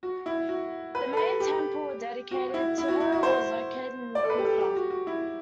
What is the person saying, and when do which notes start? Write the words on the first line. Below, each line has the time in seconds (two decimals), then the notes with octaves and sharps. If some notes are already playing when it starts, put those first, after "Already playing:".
The main temple dedicated to her was located in Kutha.
0.03 F#4
0.26 E4
0.49 F#4
0.95 B4
1.13 A4
1.17 B4
1.40 G4
2.31 F#4
2.54 E4
2.78 E4
2.88 F#4
3.00 E4
3.12 F#4
3.23 C5
4.15 D5
4.24 A4
4.30 B4
4.38 G4
4.45 A4
4.60 G4
4.76 F#4
4.90 F#4
5.07 E4